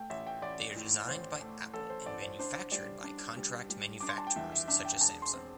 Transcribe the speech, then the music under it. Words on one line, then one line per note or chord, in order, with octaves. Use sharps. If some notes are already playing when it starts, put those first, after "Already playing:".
They are designed by Apple and manufactured by contract manufacturers such as Samsung.
Already playing: A3 G5
A1 E5
G5
A1 D5
A2
A1 C5
A3
A1 A4
C5
A1 D5
C5
D4 C5
G3 D5
D4
G3
G3
D4 D6
C6
A5
G5
E2 E5
E5
D4 E5
G5
E1 A5
C6
C4